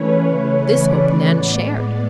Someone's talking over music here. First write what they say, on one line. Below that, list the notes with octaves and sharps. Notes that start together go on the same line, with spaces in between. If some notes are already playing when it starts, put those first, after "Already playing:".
This hope Nan shared.
Already playing: C#3 E3 A3 C#4 B4 C#5
D5
A2 G#3 B3